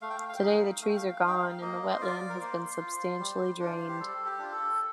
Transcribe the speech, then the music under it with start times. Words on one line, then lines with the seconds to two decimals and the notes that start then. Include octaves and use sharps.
Today the trees are gone and the wetland has been substantially drained.
0.02 A3 F5
0.10 G5
0.16 F5
0.29 F5
0.36 G5
0.42 D#4 F5
0.82 A3 F5
0.90 G5
0.96 F5
1.08 F5
1.22 D#4
1.27 G5
1.35 F5
1.50 F5
1.61 A#3 D#5
1.91 C5
2.01 F4 D5
2.30 A#4
2.40 A#3 C5
2.80 F4
3.19 G3
3.60 D4 F4
3.89 G4
3.99 G3 A4
4.25 G4
4.39 D4 F4
4.52 A4